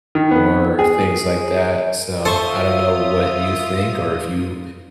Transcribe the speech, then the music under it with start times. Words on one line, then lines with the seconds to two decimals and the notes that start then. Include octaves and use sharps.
or things like that. So I don't know what you think or if you
0.15 D#3
0.31 B3
0.79 G#4
2.25 F4 A4 C5 E5 C#6 D#6